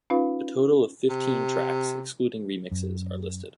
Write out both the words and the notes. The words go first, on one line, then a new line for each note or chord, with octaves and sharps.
A total of fifteen tracks, excluding remixes, are listed.
C#4 D#4 F4 B4 F5
C3
F#2